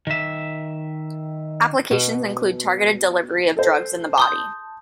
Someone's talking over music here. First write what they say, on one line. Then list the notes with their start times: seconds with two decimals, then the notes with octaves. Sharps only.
Applications include targeted delivery of drugs in the body.
0.07 D#3 E5
1.91 B2
3.57 A4 C5
4.18 A5 C6 D#6 G6